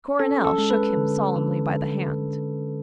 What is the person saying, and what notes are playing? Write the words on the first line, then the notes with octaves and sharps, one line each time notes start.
Coronel shook him solemnly by the hand.
C#4 A4
A4
G#3
B4
D3
D3